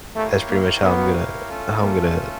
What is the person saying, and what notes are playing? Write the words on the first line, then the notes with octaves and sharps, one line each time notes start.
that's pretty much how I'm gonna how I'm gonna
A3 E4 G4 A#4 C#5 F5
A#3
B3
A3 C#4 F4 A4
A#3